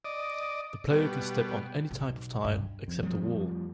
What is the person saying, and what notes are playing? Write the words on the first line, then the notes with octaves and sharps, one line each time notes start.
The player can step on any type of tile except a wall.
D5 D#5
B2 G3
B1
G2
F2
F3 G3 A3